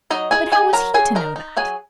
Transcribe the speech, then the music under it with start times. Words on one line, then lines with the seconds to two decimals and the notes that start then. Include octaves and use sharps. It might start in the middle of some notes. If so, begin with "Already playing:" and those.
But how was he to know that?'
0.10 F#3 D#4 D#5
0.31 D#4 G#4 G#5
0.52 D#4 G#4 G#5
0.73 F#3 A#4 A#5
0.94 F#3 G#4 G#5
1.15 D#4 A#4 A#5
1.36 D#4
1.57 F#3 G#4 G#5